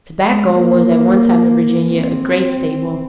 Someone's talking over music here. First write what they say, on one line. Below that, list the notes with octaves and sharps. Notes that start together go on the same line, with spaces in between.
Tobacco was at one time in Virginia a great staple.
G#3
A#3
C4